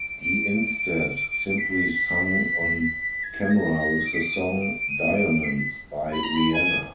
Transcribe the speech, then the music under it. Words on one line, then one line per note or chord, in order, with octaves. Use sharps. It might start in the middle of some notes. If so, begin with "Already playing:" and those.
He instead simply sung on camera with the song: "Diamonds" by Rihanna.
Already playing: D7
B6
G#6
G#6
A#6
A#6
D7
B6
D7
D#7
D7
D#7
D7
B6
B5
A#5
B5
G#5